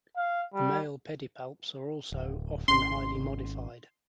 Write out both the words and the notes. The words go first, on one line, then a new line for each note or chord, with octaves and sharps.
The male pedipalps are also often highly modified.
F5
G3
D1
G#1 C#4 C6